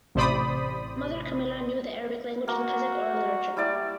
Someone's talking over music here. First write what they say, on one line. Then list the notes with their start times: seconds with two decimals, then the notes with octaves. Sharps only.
Mother Kamila knew the Arabic language and Kazakh oral literature.
0.15 A1 C3 C5 D5 B5 D#6
2.48 A#3 F#4
3.57 G3 E4 D5